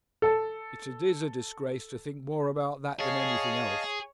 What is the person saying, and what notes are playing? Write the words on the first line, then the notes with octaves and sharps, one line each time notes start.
'It is a disgrace to think more about that than anything else.
A4 A5
G#4 C#5 D#5 F5 A5